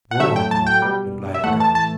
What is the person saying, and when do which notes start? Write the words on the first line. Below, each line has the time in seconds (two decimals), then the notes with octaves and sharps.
"Go on, then," replied the count.
0.11 F#5
0.20 A2 F#3 A3 E5
0.36 G5
0.51 A5
0.67 G5
0.82 B2 G3
1.34 E5
1.44 A2 E3 A3 F#5
1.60 A5
1.75 A5